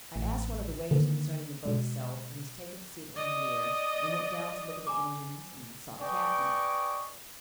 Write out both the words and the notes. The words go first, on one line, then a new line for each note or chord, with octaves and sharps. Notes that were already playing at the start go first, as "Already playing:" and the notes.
I asked one of the waiters concerning the boat itself, and was taken to see the engineer, and went down to look at the engines, and saw the captain.
A1
D3 D#3 A#3
B2 G#3
D5 D#5
G#5 A#5 D6
B4 D5 D#5 G5 G#5 C#6